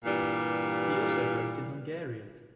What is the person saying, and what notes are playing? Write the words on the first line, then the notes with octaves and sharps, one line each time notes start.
He also wrote in Hungarian.
G2 A#2 E3 G3